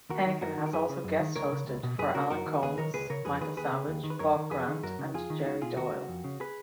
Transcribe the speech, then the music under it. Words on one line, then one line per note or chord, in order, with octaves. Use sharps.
Henican has also guest-hosted for Alan Colmes, Michael Savage, Bob Grant and Jerry Doyle.
D#2 F#4 A#4
D#3
F#2 F#4 A#4
D#3
A#4
F#2 G#4 B4
C#3
F#2
D#3
C#2 A#4 C#5
C#3
C#2
B2
F#2 G#4 B4
C#3 F#4 A#4
F#2 F#4 A#4
D#3
D#2 G#4 B4
D#3 A#4 C#5
C#2 G#4 B4
C#3 A#4 C#5
F2 G#4 B4
D#3 G#4 B4
D#2 G#4 B4
C#3
D#2
D#3
B4
F#2 A#4 C#5
D#3
F2 G#4 B4
D#3
F#2 F#4 A#4
C#3
F2 F4 G#4
D#3
C#2 D#4 F#4
B2 F4 G#4
D#2 F#4 A#4
C#3
F2
C#3
G#4 B4